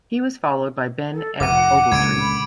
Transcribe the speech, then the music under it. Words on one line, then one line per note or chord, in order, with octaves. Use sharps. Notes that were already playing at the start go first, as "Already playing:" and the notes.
He was followed by Ben F. Ogletree.
A4
F1 F#5 D6 D#7
C#2 A#2 D3 G#6 C#7 D7
B5